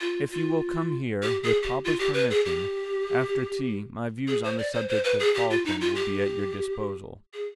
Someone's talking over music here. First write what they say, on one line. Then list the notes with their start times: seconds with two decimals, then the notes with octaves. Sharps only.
If you will come here--with papa's permission--after tea, my views on the subject of Falkland will be at your disposal.
0.01 F4
0.32 F4
1.22 G4
1.43 G#4
1.63 G4
1.84 F4
1.99 G4
2.14 B4
2.30 G#4
2.45 G4
4.28 G#4
4.44 C5
4.59 D5
4.73 C5
4.89 C5
5.04 B4
5.20 G#4
5.34 G4
5.50 F4
5.65 D#4
5.81 F4
5.95 G4
7.33 G#4